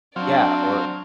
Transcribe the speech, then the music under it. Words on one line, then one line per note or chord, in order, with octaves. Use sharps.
Yeah, or
F#3 C4 D4 D5 F5